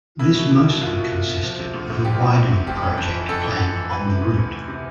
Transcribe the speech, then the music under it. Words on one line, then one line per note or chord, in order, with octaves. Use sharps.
This mostly consisted of a widening project planned on the route.
C2 E4
B2
C2
B2
C2 F4
B2
C2
B2
F3
C3
D2
D2
F3 G4
C3
D2
D2
F2 G4
E3
F2
E3
F2 A4
E3
F2
E3
E3 B4
C3
D2
D2
E3
C3